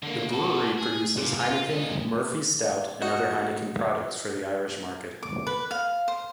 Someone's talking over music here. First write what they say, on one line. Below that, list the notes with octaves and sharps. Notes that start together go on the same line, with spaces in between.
The brewery produces Heineken, Murphy's stout and other Heineken products for the Irish market.
D3 A#3
F#4 A4
G#4
C3 F3
F4
G3 D#5
D#4 F#4
D6
B4
F5
C5